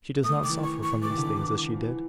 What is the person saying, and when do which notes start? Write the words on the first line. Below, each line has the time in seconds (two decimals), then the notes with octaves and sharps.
She does not suffer from these things as she did.
0.23 A3 D#6
0.43 D#3 D6
0.50 E3
0.63 C#6
0.83 C#6
1.01 E3 D6
1.10 D#3
1.17 D3
1.25 D#3
1.41 E3
1.68 F3
1.81 E3